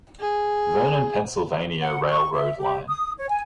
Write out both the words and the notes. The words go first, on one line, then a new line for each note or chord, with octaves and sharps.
Vernon Pennsylvania Railroad line.
G#4
F#5
C#6
E5
G4
D#6
C#5
G#5